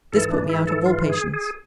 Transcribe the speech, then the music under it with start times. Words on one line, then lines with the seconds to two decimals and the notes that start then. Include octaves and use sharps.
This put me out of all patience.
0.12 G#2 E3 A4
0.30 D4
0.49 E4
0.67 A4
0.86 F4
1.09 G#4
1.34 G#4